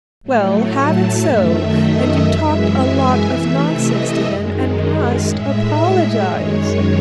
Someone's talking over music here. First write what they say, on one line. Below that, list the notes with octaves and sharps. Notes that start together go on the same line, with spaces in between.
"Well, have it so, and you talked a lot of nonsense to him and must apologize."
A2 F#3 A3
A5
F#2 D#3 A3 E5
D#5
F#2 E3 G#3 E5
G#5
C3 E3 A3 E5
D#5
F#2 D#3 G#3
A2 G#3 E5
F#2 D#3 G#3 C#5